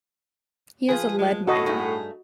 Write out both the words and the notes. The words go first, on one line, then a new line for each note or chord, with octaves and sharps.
He is a lead miner.
F3 G#4 B4
G#3
A2 F#4 A4 D#5 F#5
G2 A3 D#4 G#4